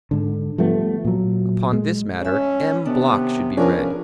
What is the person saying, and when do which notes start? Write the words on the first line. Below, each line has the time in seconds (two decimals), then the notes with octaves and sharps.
Upon this matter M. Bloch should be read.
0.11 G#2 D3
0.58 F3 G3 A3 B3
1.05 A#2 F#3
1.73 G#3
2.21 F2 C#4 E5
2.85 C3 D#3 B3 D4
3.57 F3 C#4 D4 G#4 A#4 B4